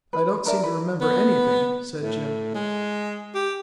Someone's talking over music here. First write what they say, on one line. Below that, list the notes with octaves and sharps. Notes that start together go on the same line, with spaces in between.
"I don't seem to remember anything," said Jim.
B4
D4 A#4 D5 E5
B4
B3
A2
G#3
G4